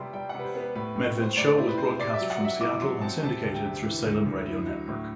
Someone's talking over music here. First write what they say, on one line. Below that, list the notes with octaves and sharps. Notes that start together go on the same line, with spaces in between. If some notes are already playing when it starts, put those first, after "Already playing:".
Medved's show was broadcast from Seattle and syndicated through Salem Radio Network.
Already playing: C3 G3 B3 C6
G3 G5
C3 F#5
B4
C5
B3
B4
A2 B4
A2
C4 C5
A2 D5
E4 C5
B4
C4 C5
C3 D5
E5
F#3
F#5
F#3 E5
E4 D6
F#3 C6
C4 A5
C3 A5
D2
G5
C3
E3
D2
D2
E4
F#3
A2